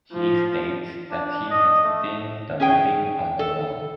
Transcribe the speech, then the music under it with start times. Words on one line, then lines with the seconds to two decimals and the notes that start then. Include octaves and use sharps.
He states that he has seen "the writing on the wall".
0.13 F3
1.11 D4
1.50 D#5
1.83 A3
2.60 C#4 G#4 G5
3.39 A4